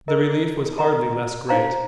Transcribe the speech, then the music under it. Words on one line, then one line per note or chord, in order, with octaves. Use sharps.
The relief was hardly less great.
A#4 D#5 A#5
A#4 D#5 A#5
D#4 C5 F5 A#5